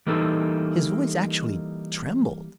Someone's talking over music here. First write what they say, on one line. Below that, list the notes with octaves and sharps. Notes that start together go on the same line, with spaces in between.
His voice actually trembled.
E3 G3 A#3 D#4 A4